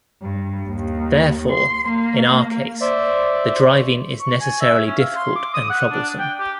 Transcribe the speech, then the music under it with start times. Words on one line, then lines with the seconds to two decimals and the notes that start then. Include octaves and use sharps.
Therefore in our case the driving is necessarily difficult and troublesome.
0.22 G2
0.69 D#2
1.51 C6
1.90 A#3
2.81 C5 D5 E5
3.69 C#6
4.20 C#6
4.41 G#5
4.61 E5
4.86 C#4
4.99 F5
5.16 C6
5.35 D6
5.54 D#6
5.70 F#5
5.91 D4
6.19 G5
6.40 G4